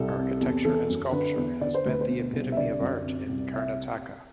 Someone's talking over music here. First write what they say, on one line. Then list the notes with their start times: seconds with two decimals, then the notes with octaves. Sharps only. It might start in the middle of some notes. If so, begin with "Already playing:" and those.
Architecture and Sculpture has been the epitome of art in Karnataka.
Already playing: C2 A4
0.17 C3
0.41 E2
0.65 E3 A4
0.89 F#2
1.12 D3 B4
1.36 E2
1.61 D3 D5
1.75 C5
1.85 D2 B4
2.01 C5
2.09 B2
2.33 C2
2.52 E5
2.57 D3 D5
2.81 F#2
3.05 C3
3.29 C2
3.53 C3 E5